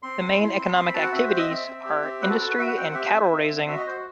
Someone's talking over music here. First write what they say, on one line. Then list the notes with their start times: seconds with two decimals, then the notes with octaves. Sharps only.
The main economic activities are industry and cattle raising.
0.03 C4 C6
0.21 C4
0.39 E4
0.58 C4
0.75 C4 C6
0.85 B5
0.94 F#4 A5
1.03 F#5
1.12 C4 E5
1.28 C4 C5
1.38 D#5
1.49 C4 E5
1.67 C4
1.85 G4
2.03 C4
2.22 F#4 B4
2.30 A4
2.41 F#4 A4
2.49 B4
2.58 F#4 E5
2.67 F#5
2.77 C4 G5
2.85 F#5
2.94 G4 E5
3.13 C4
3.31 C4
3.50 C4
3.68 F#4 E5
3.77 D#5
3.86 F#4 C5